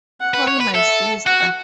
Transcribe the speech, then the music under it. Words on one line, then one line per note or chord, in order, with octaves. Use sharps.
Call my sister.
F#5
B4
C#5
B4
A4 E5
F#4 F#5